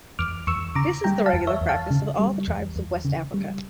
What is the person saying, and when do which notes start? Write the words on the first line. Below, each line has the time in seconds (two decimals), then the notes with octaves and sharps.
This is the regular practice of all the tribes of West Africa.
0.19 E2 D6 F6
0.47 E2 C#6 E6
0.75 C#3 A#5 D6
1.04 G3 G5 A#5
1.26 F5 A5
1.33 E2
1.47 C#5 E5
1.61 E2
1.69 F5 A5
1.91 C#3
2.19 G3
2.48 E2
2.76 E2
3.05 C#3
3.34 G3